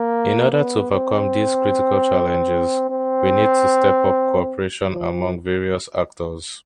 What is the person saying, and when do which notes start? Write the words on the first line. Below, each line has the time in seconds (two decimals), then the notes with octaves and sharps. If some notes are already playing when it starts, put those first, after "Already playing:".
In order to overcome these critical challenges, we need to step up cooperation among various actors.
Already playing: A#3
0.52 B3
0.92 C4
2.90 C4
4.89 F3